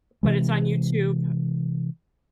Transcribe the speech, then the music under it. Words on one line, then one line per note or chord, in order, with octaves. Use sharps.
But it's on YouTube
C3 E3 G#3